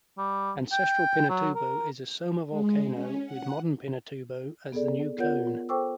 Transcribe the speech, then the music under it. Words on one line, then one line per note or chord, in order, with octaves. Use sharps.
Ancestral Pinatubo is a somma volcano with modern Pinatubo as the new cone.
G3
G5
F#3
A#4
G#3
C#4
F#5
B3 G#4 A4 D5
B3 F4 A#4 C#5 F#5 G6
A4 C5 G5 C#6 D6 E6